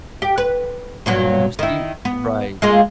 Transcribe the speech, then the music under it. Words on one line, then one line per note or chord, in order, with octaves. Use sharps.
Well, and you see right.
G4
B4
G2 A#2 F#3
D#3 E4
B3
G#3 A#3 F4